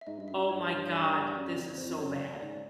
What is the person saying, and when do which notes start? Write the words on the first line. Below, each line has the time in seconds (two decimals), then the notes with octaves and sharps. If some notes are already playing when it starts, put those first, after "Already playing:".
"Oh my God, this is so bad."
0.01 E5
0.07 G#2 D#5
0.19 G2 D#5
0.28 F#2 E5
0.42 G2
0.49 C#5
0.71 C#5
0.91 D5
1.14 D5
1.35 F#2 D5
1.50 F#2
1.55 F2
1.77 F2 C5
1.89 F2
1.98 F#2 C#5
2.20 D5
2.41 G#2 D5